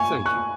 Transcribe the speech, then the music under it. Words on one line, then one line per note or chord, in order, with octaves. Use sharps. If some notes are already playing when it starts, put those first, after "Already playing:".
Thank you,
Already playing: G#5 C#6
C#6 F#6